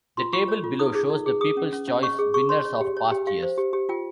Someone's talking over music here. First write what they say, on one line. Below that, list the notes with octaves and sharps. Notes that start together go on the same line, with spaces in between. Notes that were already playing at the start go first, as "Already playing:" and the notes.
The table below shows the People's Choice winners of past years.
F4 C6
F4 C#6
C#5
F4
D#4 D#6
G#4
D#4
G#4
G#4 D#6
C#4
C#4
C#4
C#5 C#6
G#4
G#4 C#6
C#5 C6
C#5
G4
C#5
G4
G4 F5
C5
G4
G4
F4 G5